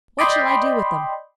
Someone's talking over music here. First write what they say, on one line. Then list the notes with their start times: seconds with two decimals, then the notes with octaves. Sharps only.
What shall I do with them?'
0.19 D5 D#5 G5 B5 C6